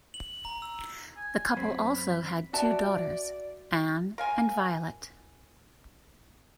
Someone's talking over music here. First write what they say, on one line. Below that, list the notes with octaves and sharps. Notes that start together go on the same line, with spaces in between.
The couple also had two daughters, Anne and Violet.
F#7
A#5
E6
G#5
F#2 C4 B5
F#4 D5 E5 A5
A#4 F5 G#5